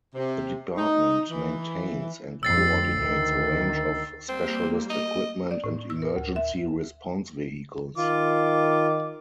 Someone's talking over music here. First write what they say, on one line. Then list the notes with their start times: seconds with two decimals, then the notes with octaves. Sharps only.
The Department maintains and coordinates a range of specialist equipment and emergency response vehicles.
0.15 C3
0.76 D#4
1.30 E3
2.43 F2 E6 A6 C7
2.98 D2 D#3
4.29 G3 A#3 C4
4.90 D#5
5.51 D5
5.64 A2
5.90 E6
6.02 A#4
6.16 D2
6.36 E5
7.97 D#3 F4 D6